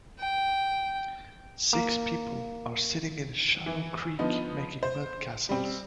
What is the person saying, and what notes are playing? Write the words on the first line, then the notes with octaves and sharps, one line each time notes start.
Six people are sitting in a shallow creek making mud castles.
G5
A#3
E3
D3 F3 B3 D#4
C5
G3 C4